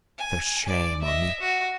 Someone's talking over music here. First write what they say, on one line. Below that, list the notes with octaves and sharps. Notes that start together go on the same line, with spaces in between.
For shame on you!
G#5
D5
D#5 E5
F#4